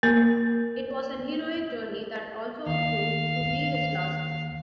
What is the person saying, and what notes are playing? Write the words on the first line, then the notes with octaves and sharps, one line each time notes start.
It was an heroic journey that also proved to be his last.
A#3 A#4
D#2 F5